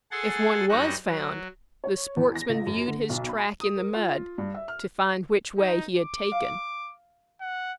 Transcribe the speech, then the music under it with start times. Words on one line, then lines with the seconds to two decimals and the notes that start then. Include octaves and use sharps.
If one was found, the sportsmen viewed his track in the mud, to find which way he had taken.
0.11 G#4 A4 F#5 G#5 C6 A6
0.69 F#2 G3 D#4 F#4 D#5 F#6
1.06 F#3
1.84 C#5
2.17 E2
2.35 A#6
2.49 C#2
2.67 F#2
2.87 D3
3.09 B1
3.29 B5
3.60 D#6
3.76 A#4
3.94 F4
4.38 G2
4.54 E5
4.68 F6
5.58 D#4
5.97 D6
6.32 F5
7.41 F#5